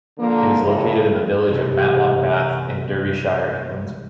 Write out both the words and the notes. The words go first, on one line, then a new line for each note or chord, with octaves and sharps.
It is located in the village of Matlock Bath in Derbyshire, England.
D3 F3 A#3
F#2 A2 C#3
E1 C2 C3 G3 A3